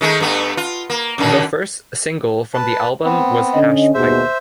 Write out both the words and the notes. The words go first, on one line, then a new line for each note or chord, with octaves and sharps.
The first single from the album was "Hash Pipe".
D#3 G#3 A3
G2 A3 B3
F4
A#3
F#2 D3 D#3
B4 A5
B3 C4
D3 C#4 D#5
D#2 B2 G#4 C5 E5